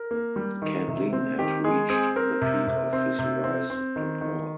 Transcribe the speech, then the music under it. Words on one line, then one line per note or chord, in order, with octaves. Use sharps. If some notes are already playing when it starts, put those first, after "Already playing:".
Ken Ling had reached the peak of his rise to power.
Already playing: A#4
A#3
G3
D#3
C3
C4
D#3 G4
G#3 G#4
C4 G#4
C4 A#4
C3
C3
C4
C3
C4
C4
D#3
D#3